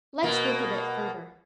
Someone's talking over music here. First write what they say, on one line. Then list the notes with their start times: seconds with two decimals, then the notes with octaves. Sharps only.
"Let's look a bit further."
0.23 B2 A#3